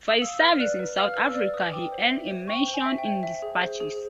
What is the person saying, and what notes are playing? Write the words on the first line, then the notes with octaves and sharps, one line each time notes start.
For his service in South Africa he earned a Mention in Despatches.
D#6
F5 E6
B4 F6
D5 F#6
B4
F5 F6
B4 E6
D5 E6
B4 D#6
G5 D6
C5
E5
C5
G5 C#6
C5
G#5
E5
G5
C5
E5
G#4
C5
G#4